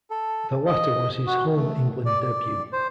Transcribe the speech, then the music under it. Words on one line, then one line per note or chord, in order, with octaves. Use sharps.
The latter was his home England debut.
A4
D#5
F#4
A3
D5
D5
C5